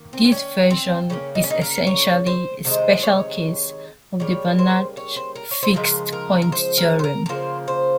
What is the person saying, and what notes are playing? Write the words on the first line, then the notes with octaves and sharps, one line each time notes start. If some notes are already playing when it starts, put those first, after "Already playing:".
This version is essentially a special case of the Banach fixed point theorem.
Already playing: D#3 A#3
C4
C4
C#4
C4
C#3 F3 A#3 C#4
D#4
C#4
D#4
A#4
C#5
C5
C3 D#3 G#3 C5
C#5
C#3 G3 A#3 C#5
C5
C#5
C5
A#4
C#5
C5
C#3 F3 G#3 A#4
A#4
A#4
C5
A#4
C5
A#4
A#4
C#3 F3 A#3 C5
C5